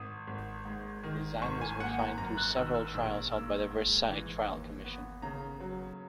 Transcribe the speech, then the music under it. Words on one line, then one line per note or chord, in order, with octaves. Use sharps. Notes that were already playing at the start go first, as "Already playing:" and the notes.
The design was refined through several trials held by the Versailles Trial Commission.
Already playing: G#1 D#6
G#1
G#2
D#3
G#1 C#6
G#5
A#3 F#5
A#5
F#2 A#5
F#6
D#3 E6
E6
A#1 E6
A#3 E6
G#2
E3
D#2
B3
C#3 A#5
F#3